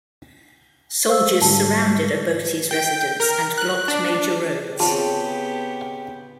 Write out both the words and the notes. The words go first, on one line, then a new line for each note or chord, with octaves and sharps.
Soldiers surrounded Obote's residence and blocked major roads.
C5 F5 E6
G#2 D3 G3 A5
G5
A#4
F#6
D4
C#3 B3 C4 F4 G4 G#4 A5